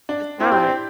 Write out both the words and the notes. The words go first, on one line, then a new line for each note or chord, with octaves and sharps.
it's not.
D4
C4 E4
G4